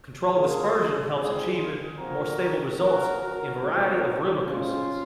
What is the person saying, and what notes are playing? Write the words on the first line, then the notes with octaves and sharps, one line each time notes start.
Controlled dispersion helps achieving more stable results in variety of room acoustics.
C#3 F#3 A#3 F4 G#4
D#3 G#3 C4 F4 G#4
A#2 F3 C4 F#4 A#4
C3 F#3 A#3 F#4 A#4
F#4 A#4
A#2 F3 G#3 C4 D#4 F#4
C#3 G#3 C4 C#4 F4